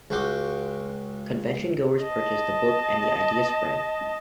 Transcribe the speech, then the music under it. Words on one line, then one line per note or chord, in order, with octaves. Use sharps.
Convention goers purchased the book and the idea spread.
C#2 F#4 G5 C6 D6
D#5 A5